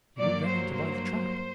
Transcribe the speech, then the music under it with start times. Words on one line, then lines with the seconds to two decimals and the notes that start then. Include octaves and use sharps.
"He will then enter by the trap."
0.19 G2 F#3 A#3 D5
0.47 C5
0.75 C5